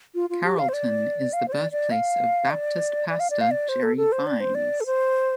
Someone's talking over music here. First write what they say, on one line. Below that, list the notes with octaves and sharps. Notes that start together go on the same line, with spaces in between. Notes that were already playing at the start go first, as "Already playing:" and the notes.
Carrollton is the birthplace of Baptist pastor Jerry Vines.
F4
F4
G4
F5
C5
D5
F5
C5
D5
D5
F5
D5
D5
F5
D5
F5
D5
C5
A4
A4
C5
D5
C5
D5
A4
C5